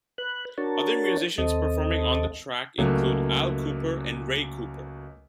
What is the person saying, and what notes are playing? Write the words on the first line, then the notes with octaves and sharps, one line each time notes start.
Other musicians performing on the track include Al Kooper and Ray Cooper.
B4 F#6
D4 F#4 A#4 C#5 A5
D#2 C4 A4 D#5
C#2 F#3 A3 A#3